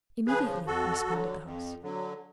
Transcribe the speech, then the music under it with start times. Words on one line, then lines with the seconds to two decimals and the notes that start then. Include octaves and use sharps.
"Immediately," responded the host.
0.27 C#3 F3 G#4 B4
0.66 F2 F#4 A4
1.05 D3 F#3
1.44 F2
1.82 D3 F#3